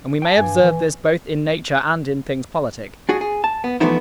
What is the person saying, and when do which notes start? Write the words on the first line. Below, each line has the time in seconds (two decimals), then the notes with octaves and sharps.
And we may observe this both in nature and in things politic.
0.22 G5 A5
0.35 G2 A#2 G#5
0.61 E3
3.09 D4 F#4 G#4
3.21 G#4
3.44 A5
3.64 B3
3.80 E3 F3 A3 B3 D#4 E4